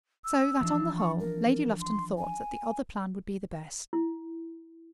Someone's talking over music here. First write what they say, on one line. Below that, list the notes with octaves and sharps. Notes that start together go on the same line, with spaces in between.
So that on the whole Lady Lufton thought that the other plan would be the best.
E6
E3 F3 D4
C#6
A#4
C6
G#5
E4